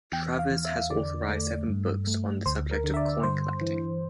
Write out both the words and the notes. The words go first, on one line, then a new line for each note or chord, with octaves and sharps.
Travers has authored seven books on the subject of coin collecting.
E2 G5
F5
E2
E5
D3 D5
A3
G2
A3
D2 C5
A#4
D3
E5
D5
G2 C5
E3